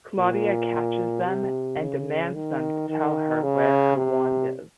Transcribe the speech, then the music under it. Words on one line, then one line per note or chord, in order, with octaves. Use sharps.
Claudia catches them, and demands them to tell her where her wand is.
A#2
C3
C#3
D#3
D#3
C#3
C3